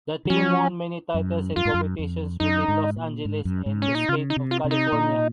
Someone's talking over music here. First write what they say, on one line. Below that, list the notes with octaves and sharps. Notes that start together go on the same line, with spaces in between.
The team won many titles in competitions within Los Angeles and the State of California.
D#3
F3 C#4
F#2
F#2 F4
G#2
F#2
F2
F#2 D#4
G#2
A#2
G#2
F#2
G#2
C#4
A#2
D#4
C#3 F4
D#4
C3
F4
C3
D#4
A#2